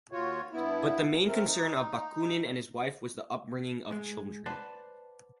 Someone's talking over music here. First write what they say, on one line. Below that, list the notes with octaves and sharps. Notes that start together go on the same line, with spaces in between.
But the main concern of Bakunin and his wife was the upbringing of children.
D#2 F4 F#4 C#5
G2 B3 E4
A3 C4 A#4
D#4
G#2 G#3
B4 C5 D5 F#5 A5